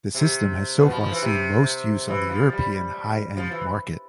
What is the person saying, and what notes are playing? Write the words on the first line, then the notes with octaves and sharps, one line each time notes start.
The system has so far seen most use on the European high end market.
C3
B2
F3
F3
E3
C3
E3
F3
G3
F3
E3